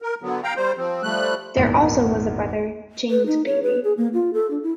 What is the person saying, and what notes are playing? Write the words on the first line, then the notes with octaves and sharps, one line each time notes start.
There also was a brother, James Baby.
A#4
D3 F#3 B3
F5 G5 A#5
G3 C5
F3 C4
F3 G3 A3 F#6
G#1 E2 A#2
B4
D#4
C#5
B4
G#4
A#3
F4
A4
D4
E4